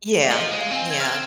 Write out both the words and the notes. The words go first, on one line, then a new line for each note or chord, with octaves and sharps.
Yeah, yeah.
F5
F3 D#5
G#3
F5
C4 G#5
G#6
F6
G#6